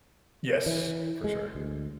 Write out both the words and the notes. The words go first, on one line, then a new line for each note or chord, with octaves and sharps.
Yes, for sure,
E3
G#3
D2